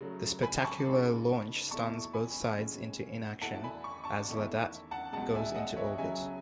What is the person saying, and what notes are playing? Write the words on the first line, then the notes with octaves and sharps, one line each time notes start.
The spectacular launch stuns both sides into inaction as Lhadatt goes into orbit.
C#3 F#3 A3
G#5 B5
A5 C#6
C#3 G#3 D#4
E2 B2 A3 E4 A5 C#6
G#5 B5
A2 G#3 C#4
E2 B2 A3 E4 F#5 A5
G#5 B5
C#6
A5 C#6
E2 D#3 A3 E4
F#5 A5
C#2 B2 G#3 F#5 A5
E5 G#5
D#5 F#5
C#5 E5
C#3 F#3 C#4 E5 G#5